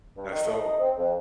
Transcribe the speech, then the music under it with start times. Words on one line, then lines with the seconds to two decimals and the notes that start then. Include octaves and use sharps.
and so
0.17 G2
0.32 D#3
0.46 A3
0.58 D#4
0.80 C4
0.97 F2